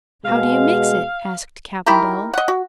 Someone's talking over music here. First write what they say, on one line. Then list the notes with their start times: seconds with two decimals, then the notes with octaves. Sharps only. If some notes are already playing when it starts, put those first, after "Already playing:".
"How do you mix it?" asked Cap'n Bill.
0.25 B2 G#3 F5
1.86 D#3 E4 G4 A#4
2.33 D#5 F#5
2.48 F#4